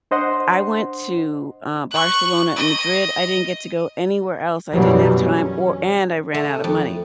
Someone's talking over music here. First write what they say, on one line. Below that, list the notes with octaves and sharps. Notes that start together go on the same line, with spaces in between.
I went to, uh, Barcelona and Madrid, I didn't get to go anywhere else, I didn't have time or and I ran out of money.
D4 C5 D#5 F#5 C6
C#6 F#6
D#5
F#2 B2 E3 F#3 G3
C#4
A3
F2